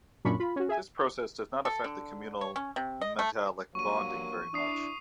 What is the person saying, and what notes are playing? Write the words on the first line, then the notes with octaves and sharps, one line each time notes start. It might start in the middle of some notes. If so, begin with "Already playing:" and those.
This process does not affect the communal metallic bonding very much.
F#2 A#2 C#4 D4 B5 C#6
F4 B5
C#4 F#4
G#4 E5 G#5
A4
D3
C#5
C#4
C3
D#5
A3
G2 F#3 A#3 C#6 D#7
D4 E4 D#6 C7